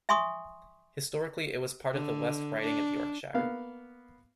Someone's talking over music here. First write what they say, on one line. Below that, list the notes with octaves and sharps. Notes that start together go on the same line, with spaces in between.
Historically it was part of the West Riding of Yorkshire.
E5 G#5 C6 C#6 D#6
D3
D4
A#3 B3 F5